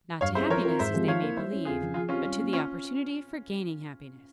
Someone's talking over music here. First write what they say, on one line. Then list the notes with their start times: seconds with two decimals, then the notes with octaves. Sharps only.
Not to happiness, as they may believe, but to the opportunity for gaining happiness.
0.21 G2 C#5 F5
0.35 G3 C#4 E4 G#4 C5 E5
0.50 F3 A#4 C#5
0.64 C4 F4 A#4
0.79 G#2 C5 E5
0.94 F3 G#3 C4 G4
1.08 F3 C#5 F5
1.22 A#3 E4 A#4
1.37 G3 C5 E5
1.52 C#4 E4
1.65 F2 F4 G#4
1.80 C#3 F3
1.94 F3 F4 G#4
2.09 C4 C#4 F4 G4
2.24 G3
2.39 A#3 C#4
2.53 C#4 F4